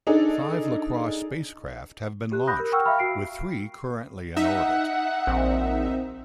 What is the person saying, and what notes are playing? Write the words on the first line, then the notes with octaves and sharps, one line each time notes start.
Five Lacrosse spacecraft have been launched, with three currently in orbit.
D4 D#4 G#4 A4
G4 F#6
B5 D#6 F#6 G6 A#6
A#4
F#5 G5 C#6 E6 F6
E5 F5 G5 A#5 B5 F6
F#4 C7 D7
D#4 E5 F#5
A#1 C4